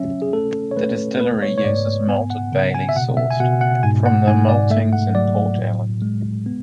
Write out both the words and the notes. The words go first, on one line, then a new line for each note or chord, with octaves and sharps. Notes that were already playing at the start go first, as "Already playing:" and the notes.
The distillery uses malted barley sourced from the maltings in Port Ellen.
Already playing: F#3 C#4 E5
G#4
A3 A4
C#5
A3 B4
B3 B4
C#5
C#5
G#2 D5
B3 G#5
F#5
C#3
G#5
E5
B2 F#5
E5
G#5
B2 F#5
F#5
G#2 G#5
F#5
G#2 G#5
D5
A3 E5
F#5
F#3 D5
A2
G#3
B3